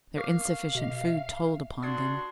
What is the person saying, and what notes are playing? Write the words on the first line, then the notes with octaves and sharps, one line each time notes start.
Their insufficient food told upon them.
A#4 F5 C#6 D6
B2 D#5
E5
D4 F#4 C6 D#6 G#6 C7